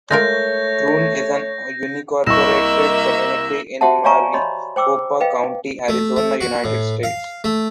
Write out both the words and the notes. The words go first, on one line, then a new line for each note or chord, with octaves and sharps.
Troon is an unincorporated community in Maricopa County, Arizona, United States.
G#3 A3 F4 A#4 C#5 G6 A#6
C2 A#3 D#5 E5 C#6 E6 A#6 E7
F#4 G4 C5 E5 F#5 A5
C#5 D5 F5 G#5 A#5 C#6
C#5 D#5 B5 C6
C5 G5 D6 E6
B4 D#5 F5 G5
A3
A3
F#4
A2
F5
A3